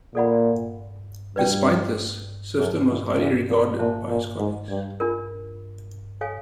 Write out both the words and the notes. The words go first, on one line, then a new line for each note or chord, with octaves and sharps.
Despite this, Sifton was highly regarded by his colleagues.
A#2 A4 D5 F#5 B5
G2 B4 D5 G5
F#2 D#4 G#4 C#5
E2
E2
A#2
A#2 C5 E5 A5
A#2
G#2
G2
D4 F4 A#4
A4 C#5 F5 G#5